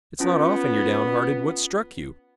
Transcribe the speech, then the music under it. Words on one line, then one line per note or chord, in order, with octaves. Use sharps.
"It's not often you're downhearted. What's struck you?"
B3 C#4 F4 A5